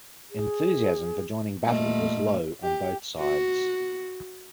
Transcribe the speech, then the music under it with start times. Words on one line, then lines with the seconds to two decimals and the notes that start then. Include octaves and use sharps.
Enthusiasm for joining battle was low on both sides.
0.30 G#4
1.64 A#2 G3 A3 D#5
2.63 G4
3.20 F#4